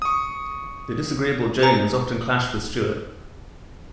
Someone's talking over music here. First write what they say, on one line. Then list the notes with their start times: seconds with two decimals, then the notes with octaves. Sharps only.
The disagreeable Jones often clashed with Stuart.
0.02 C#6 D#6
1.60 G4 B4 C5 G#5 A#5 C#7